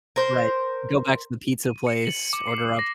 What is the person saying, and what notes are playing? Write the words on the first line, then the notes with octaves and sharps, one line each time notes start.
Right, go back to the pizza place, order up D
A#4 C5
D#7
C#7
F#7
D6
C7
C#7
A#6